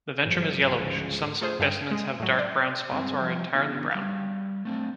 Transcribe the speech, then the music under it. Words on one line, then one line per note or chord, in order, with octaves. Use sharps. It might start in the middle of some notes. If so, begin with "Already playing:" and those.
The ventrum is yellowish; some specimens have dark brown spots or are entirely brown.
G1 G#2 F3 F#3
D2 G#2 C#3 F3 G#3
A3 F4 G#4 C5
G2 E5 G5
G#3
A2 F#3
D5
G2 G#3 C4 G#4
F3 G3
D3 B3 D4 F#4
G3 F5
A3 C4 D4